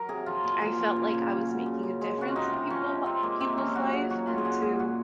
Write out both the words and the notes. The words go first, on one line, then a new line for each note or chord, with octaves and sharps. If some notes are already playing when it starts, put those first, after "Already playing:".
I felt like I was making a difference in people people's life, and to
Already playing: F#3 A#4
C3 G#4
F3 F4
A#2
F3
F3
C#3
C#3
F#3
C#3
C#3
C#3
G#3
C#3 F#4
F4
C3 D#4
C3
F3 C#4
C3
C3 C4
G#3 A#3
C3 C4
F3 C#4
F#3 F#4
F#3 G#4
F#3 F#4
C3 F4
G#4
A#2 F#4
A#2 G#4
A#2 F#4